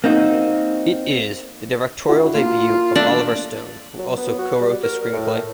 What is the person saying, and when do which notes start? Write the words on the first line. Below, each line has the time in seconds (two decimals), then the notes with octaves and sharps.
It is the directorial debut of Oliver Stone, who also co-wrote the screenplay.
0.04 A#3 C4 D#4 F#4
2.09 D4 E4 F#4
2.34 A#3 F4
2.96 A3 D4
3.99 F#3
4.17 B3
4.39 F#4
4.61 G3
4.83 A#4
5.13 A2